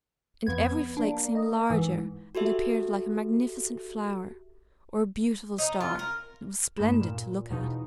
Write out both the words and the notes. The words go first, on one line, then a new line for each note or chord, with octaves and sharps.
And every flake seemed larger, and appeared like a magnificent flower, or beautiful star; it was splendid to look at!
F2 B3 G#6
A#3 D4
D#5
G#2 E3
F#4 G4 A4 E5
D#4
F4
A#4
G2 A3 D#4 B5 E7
A#2
E2 B2 F3 D#4